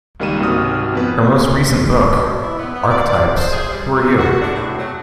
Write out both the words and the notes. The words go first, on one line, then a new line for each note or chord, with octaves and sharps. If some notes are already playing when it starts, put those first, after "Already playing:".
Her most recent book, Archetypes: Who Are You?
C#2 D#3 G3 A#3 D#7 E7
G#1 C3 F#4 D#6 F6
F2 B3 B4
E4
B3
B3
D5
C5
G#4
G3
E3
F#4
D4
A2
F#3